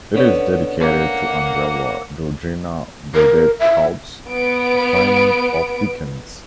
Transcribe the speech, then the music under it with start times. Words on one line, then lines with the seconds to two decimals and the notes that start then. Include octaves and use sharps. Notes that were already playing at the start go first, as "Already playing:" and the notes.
It is dedicated to Angela Georgina Burdett-Coutts, a friend of Dickens.
0.15 D3 B3 C#4
0.80 A#3 F#5
3.15 A#4
3.60 E5
4.29 B3 D7